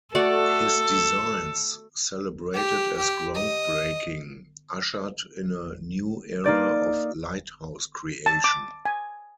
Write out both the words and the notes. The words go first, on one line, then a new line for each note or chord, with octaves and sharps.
His designs, celebrated as ground breaking, ushered in a new era of lighthouse creation.
A3 F#4 A4 D5
G4
G4
D#5
A#3 D#4 D5 G6
A5
D6
G#5